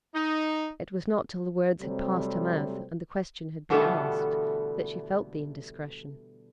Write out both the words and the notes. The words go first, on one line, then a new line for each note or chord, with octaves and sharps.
It was not till the words had passed her mouth and the question had been asked that she felt the indiscretion.
D#4
C3 F#3 G3 A3 C4
B2 D3 E3 G3 A3 B3